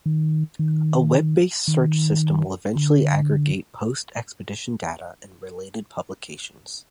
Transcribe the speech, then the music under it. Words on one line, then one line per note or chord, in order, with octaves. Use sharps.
A web-based search system will eventually aggregate post-expedition data and related publications.
D#3
D#3
D#3
D3